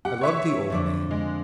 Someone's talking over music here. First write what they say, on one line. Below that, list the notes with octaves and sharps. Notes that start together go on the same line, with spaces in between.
I loved the old man.
G4 F#5
C#5 E5 C#6
F2 D3 D5
G#3